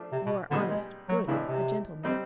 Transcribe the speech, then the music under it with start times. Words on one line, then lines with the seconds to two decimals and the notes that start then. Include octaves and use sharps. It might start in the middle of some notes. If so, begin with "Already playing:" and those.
You are honest, good, a gentleman.
Already playing: F3 A3 D4
0.12 C3
0.26 B2
0.51 A#2 D3 G3 B3 D#4 G#4
0.70 G#3
1.09 F#3
1.27 A2 C#3 E3 G#3 B3 D4
1.46 C3
2.03 G3 C4 D#4